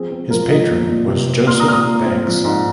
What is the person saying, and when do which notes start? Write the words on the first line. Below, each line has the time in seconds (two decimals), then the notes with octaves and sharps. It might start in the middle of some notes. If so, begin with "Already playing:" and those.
His patron was Joseph Banks.
Already playing: F3 C4 G#4
0.11 C4
0.30 F3 A#4
0.50 F3 A#4 D#5
0.70 A#2
0.89 A#2
1.08 C3
1.27 C4
1.47 A#2 C6 F6
1.60 A#5 D#6
1.66 A#2 F6
1.73 A#5 D#6
1.86 A#2
2.05 C4
2.25 F3
2.44 G#2